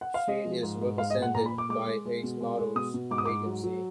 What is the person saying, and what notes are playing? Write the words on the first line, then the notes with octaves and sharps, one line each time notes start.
She is represented by Ace Models Agency.
F#5
F5
G#3 D#5
F3
G#2
G#2
G#3 F5
D#5
A#2
F#5
A#2 A#5
B5
A#2
D6
G#3 D6
G#3
G#3
B2
G#3
G#3
B2 D#6
B2
G#2 D6
D#6
G#2 D6
F#3
F#3